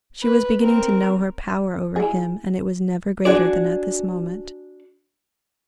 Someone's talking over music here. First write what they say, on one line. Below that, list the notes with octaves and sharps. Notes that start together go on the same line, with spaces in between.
She was beginning to know her power over him, and it was never greater than at this moment.
B4
C4 A#4
E4 G#4
D4 F#4 G#4 D5